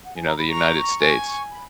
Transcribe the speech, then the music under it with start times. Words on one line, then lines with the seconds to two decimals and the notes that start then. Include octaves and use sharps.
you know, t he United States.
0.03 F#5
0.15 G#5
0.27 A#5
0.38 B5
0.50 A#5 C#6
1.01 G#5
1.51 B5